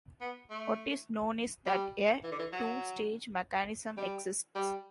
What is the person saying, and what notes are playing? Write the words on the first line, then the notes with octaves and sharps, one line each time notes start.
What is known is that a two-stage mechanism exists.
B3
A3
G3
E3
D3
E3
F#3
G3
G3